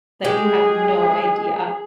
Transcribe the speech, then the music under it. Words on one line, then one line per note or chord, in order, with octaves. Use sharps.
that you have no idea
G#3 G4 G#4